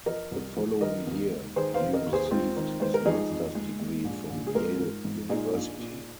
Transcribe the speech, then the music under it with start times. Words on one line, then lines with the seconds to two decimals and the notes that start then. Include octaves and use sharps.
The following year, he received his master's degree from Yale University.
0.06 F3 A#4 D#5
0.31 C2
0.57 F3
0.81 D#3 A#4 D#5
1.07 D#2
1.31 G#3
1.56 D#3 G#4 C5
1.74 C5 F5
1.81 F1
1.93 A#4 D#5
2.06 D#2
2.13 G#4 C5
2.26 G#4
2.31 G#3 C4 F4
2.56 D#3
2.80 G#3 C5
2.94 A#4
3.05 F3 D#4 G#4
3.30 F2
3.55 G#3
3.80 G#3
4.05 A#1
4.30 A#1
4.47 G#4
4.55 G#3 F4 A#4
4.80 G#2
5.05 G#2
5.29 A#2 D#4 G#4
5.55 A#1
5.79 A#2